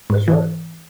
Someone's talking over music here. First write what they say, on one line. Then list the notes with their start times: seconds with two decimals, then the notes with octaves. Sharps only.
That's right.
0.10 G#2
0.28 E3